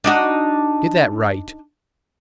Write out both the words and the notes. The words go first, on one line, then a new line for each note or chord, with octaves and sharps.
Get that right.
D4 D#4 F#4